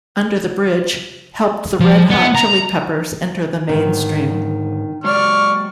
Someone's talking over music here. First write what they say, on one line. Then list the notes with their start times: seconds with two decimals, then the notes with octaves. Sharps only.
"Under the Bridge" helped the Red Hot Chili Peppers enter the mainstream.
1.80 F3
2.10 B3
2.35 A#5
3.69 G#2 D3 D#3
5.04 F#3 G#3 C#5 D5 C#6 F6